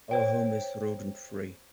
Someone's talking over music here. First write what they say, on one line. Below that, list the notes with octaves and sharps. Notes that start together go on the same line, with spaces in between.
Our home is rodent free.
C5 C#5 G5